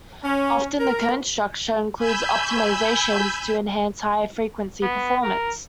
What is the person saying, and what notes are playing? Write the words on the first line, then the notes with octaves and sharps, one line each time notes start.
Often the cone structure includes optimizations to enhance high-frequency performance.
C#4
A#4
G#5 B5 E6 G6
B3
A#4